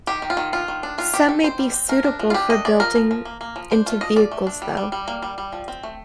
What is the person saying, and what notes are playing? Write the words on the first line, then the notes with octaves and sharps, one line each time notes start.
Some may be suitable for building into vehicles though.
D#3 G4
D#3
F4
D#3
D4 F4
D#3
D4
D#3 F4
D#3 G4
D#3 A4
C4 C5
G3
C4
A3 A#4
D4
F3
F4
D4 G4
A3 D#5
A3 D5
F3 A#4
F3
F3
A#3
A#3
F3
D4 C5
A3 F4
F3 D#5
F3 D5
A3
D4
G3
G3
G3
A#3
G3
G3
F3
C4
A3